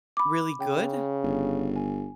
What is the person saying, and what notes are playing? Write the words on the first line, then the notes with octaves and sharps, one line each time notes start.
really good?
B5 D6
C#3 G5
G1
G#5